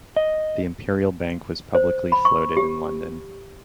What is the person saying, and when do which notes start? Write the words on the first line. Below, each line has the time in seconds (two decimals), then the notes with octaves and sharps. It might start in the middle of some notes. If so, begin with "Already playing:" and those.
The Imperial Bank was publicly floated in London.
0.16 D#5
1.75 C5
2.12 B5
2.25 C#6
2.57 G4